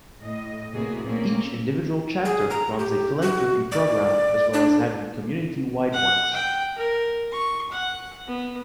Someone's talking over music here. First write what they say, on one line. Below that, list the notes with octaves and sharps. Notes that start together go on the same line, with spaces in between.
Each individual chapter runs a philanthropy program as well as having community wide ones.
A2 D#5
A2 C3 A#3 B3 F#4 G#4
A#2 A3 A#3 C4 C#4
G#4
A#5
G4
F#4
D5
D4
F#5
G5
A#4
C#6
F#5
B3